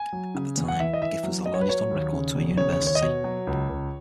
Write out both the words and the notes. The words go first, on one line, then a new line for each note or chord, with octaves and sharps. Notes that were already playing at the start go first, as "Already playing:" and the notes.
At the time, the gift was the largest on record to a university.
Already playing: G#5
F#3
C#3
E2
F#5
E3 E5
D#5
E3 E5
F#3
F#3 D#5
C#5
B4
F#3 C#5
D#2
C#3
E1
C#3 C#5
C#5
D#2
C#5
D#5
B2 C#5
F#3
C#2
C#2